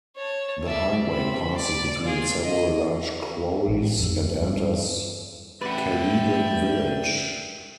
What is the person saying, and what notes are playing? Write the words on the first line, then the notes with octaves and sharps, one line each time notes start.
The highway passes between several large quarries and enters Caledon Village.
C#5 A5
D5 E5
C4 B5
D5
F4 G#4
D#5
A1
F2
G2
A1 B4 D5 E5 F#5 G5